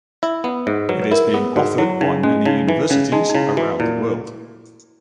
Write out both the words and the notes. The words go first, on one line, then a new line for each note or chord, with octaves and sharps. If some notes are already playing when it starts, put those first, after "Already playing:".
It is being offered by many universities around the world.
E4 E5
B3 F#5
G#2 E5
F#3 B4
B4
E4 A#4
B3 G#4
G#2 F#4
F#3 E4
C#3 D#4
G#3 C#4
C#3 D#4
E3 D#4
C#3 C#4
G#3 D#4
D#4
C#3 E4
E3 F#4
A#2 E4